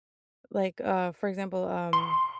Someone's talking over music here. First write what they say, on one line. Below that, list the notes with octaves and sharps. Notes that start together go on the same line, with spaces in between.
like, uh, for example, um
C6